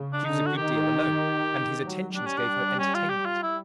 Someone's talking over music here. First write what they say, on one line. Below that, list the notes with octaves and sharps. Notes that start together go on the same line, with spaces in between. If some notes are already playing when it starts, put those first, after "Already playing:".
She was a good deal alone, and his attentions gave her entertainment.
Already playing: C#3
D4
D3 D#4
F#4
D#3 G4
F#3
G3 D4
C#4
D4
C#4
F4
G4
F4
E4